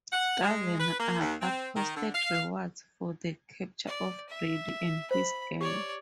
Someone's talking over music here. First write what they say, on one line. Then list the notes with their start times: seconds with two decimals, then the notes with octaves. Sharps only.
Governor Arthur posted rewards for the capture of Brady and his gang.
0.13 F#5
0.42 G#3
0.79 B4
0.98 A#3
1.20 D#2
1.41 C4
1.75 D#3
1.96 D3
2.13 F5
3.87 D5
4.29 E5
5.11 C5 B5
5.61 G4 C#5 D5